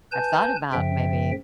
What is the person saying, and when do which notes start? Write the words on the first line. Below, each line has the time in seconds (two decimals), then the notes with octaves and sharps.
I've thought about maybe
0.12 B4 G#5 A5 G6
0.73 F#2 C#3 F3 E5 G5